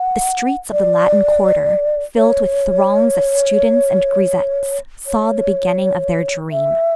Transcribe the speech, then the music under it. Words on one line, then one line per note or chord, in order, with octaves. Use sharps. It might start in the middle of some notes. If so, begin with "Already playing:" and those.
The streets of the Latin quarter, filled with throngs of students and grisettes, saw the beginning of their dream.
Already playing: F#5
D5
C#5
C#5
E5